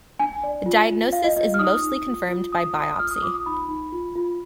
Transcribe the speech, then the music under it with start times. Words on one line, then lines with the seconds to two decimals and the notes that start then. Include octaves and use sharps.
The diagnosis is mostly confirmed by biopsy.
0.19 D4 G#5
0.44 D5
0.66 F4
0.90 F4
1.13 F4 F5
1.24 D#5
1.36 F4 D#5
1.54 F6
1.59 D#4 D#6
1.83 D#4
2.06 F4
2.29 F4
2.52 D4 D#6
2.75 D5 D#6
2.99 F4 F6
3.11 D#6
3.22 F4 D6
3.34 D#6
3.46 D#4 B5
3.69 D#4
3.92 F4
4.15 F4